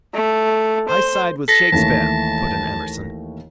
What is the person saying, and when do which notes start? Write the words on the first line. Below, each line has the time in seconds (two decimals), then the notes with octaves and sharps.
"I side with Shakespeare," put in Emerson.
0.14 A3
0.88 C5
1.48 A4 A#6 B6
1.72 D#2 E3 A3 A5